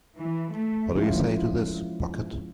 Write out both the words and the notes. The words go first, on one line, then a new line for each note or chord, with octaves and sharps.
What do you say to this, Bucket?
E3
A3
F3 G#3 C#4 E4 F4